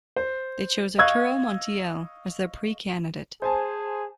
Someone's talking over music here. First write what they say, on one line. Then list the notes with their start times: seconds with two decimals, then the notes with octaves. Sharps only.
They chose Arturo Montiel as their pre-candidate.
0.16 C5
0.98 D#5 F5 C#6 E6 F#6 G#6
3.42 G#4 C5 G#5 A5